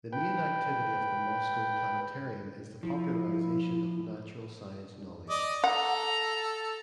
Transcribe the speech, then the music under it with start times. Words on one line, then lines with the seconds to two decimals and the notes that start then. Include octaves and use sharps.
The main activity of the Moscow Planetarium is the popularization of natural science knowledge.
0.13 B4 G5
2.83 F3 E4
5.29 D5 D#5
5.64 A4 F#5 A#5